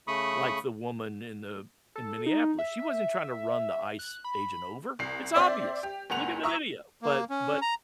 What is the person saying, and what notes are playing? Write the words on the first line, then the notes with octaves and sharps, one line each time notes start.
like the woman in the in Minneapolis, she wasn't trying to run the ICE agent over, it's obvious! Look at the video, but but
C#3 A3 B5 C#6 D#6
A4
D#4
E5
F#6
B5
C2 C7
C4 C5 D5 E5
G4
F#1 C#2 F#5 F7
E5 A#5 C#6 D#6 E6
A#3
C#4
A#5